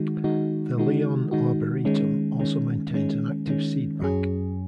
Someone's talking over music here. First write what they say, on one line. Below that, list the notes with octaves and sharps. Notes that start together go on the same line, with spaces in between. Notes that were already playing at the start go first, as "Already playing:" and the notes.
The Lyon Arboretum also maintains an active seed bank.
Already playing: D#3 G#3 D#4 F#4
D#3 G#3 D#4 F#4
D#3 G#3 D#4 F#4
D#3 G#3 D#4 F#4
D#3 G#3 C#4
D#3 G#3 C#4
D#3 G#3 C#4
D#3 G#3 C#4
F#2 F#3 C#4 G#4